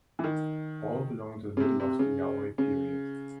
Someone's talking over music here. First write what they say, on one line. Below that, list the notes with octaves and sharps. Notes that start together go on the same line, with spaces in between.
All belong to the middle of the Yayoi period.
E3
D#3
C#3
C3
C3
C#3
C#3